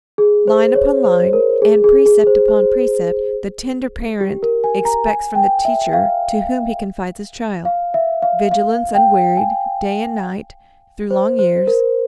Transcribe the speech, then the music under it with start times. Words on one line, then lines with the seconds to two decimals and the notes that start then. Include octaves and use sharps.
Line upon line, and precept upon precept, the tender parent expects from the teacher to whom he confides his child; vigilance unwearied, day and night, through long years.
0.18 G#4
0.47 C5
0.75 C#5
1.04 C5
1.33 A#4
1.62 G#4
1.84 G#4
2.06 G#4
2.27 C5
2.48 C5
4.21 G4
4.43 A#4
4.64 G#5
4.85 A#5
5.07 G#5
5.35 G5
5.65 E5
5.93 F5
7.65 F5
7.94 E5
8.22 F5
8.52 F5
8.95 G5
9.37 G#5
11.11 C5
11.39 C5
11.67 A#4